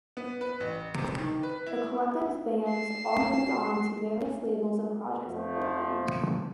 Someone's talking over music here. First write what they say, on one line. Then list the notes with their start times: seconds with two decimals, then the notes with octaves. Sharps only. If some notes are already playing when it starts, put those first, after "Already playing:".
The collective's bands all moved on to various labels and projects of their own.
0.17 B3
0.41 B4
0.60 A1
0.95 C3
1.18 D#3
1.43 B4
1.67 E4
2.68 C7 E7
5.26 F2 F3 A3